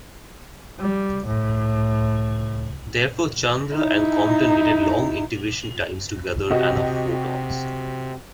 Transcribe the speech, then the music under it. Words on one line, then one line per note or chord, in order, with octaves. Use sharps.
Therefore, Chandra and Compton needed long integration times to gather enough photons.
G3
A2
D#4 E4
C3 F#4 G4 D#5